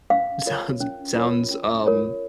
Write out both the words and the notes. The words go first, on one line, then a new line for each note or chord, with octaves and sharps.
Sounds sounds, um
C#4 F5
F4 A#4 C#5
C#4
F4 A#4 C#5
C#4
F4 A#4 C#5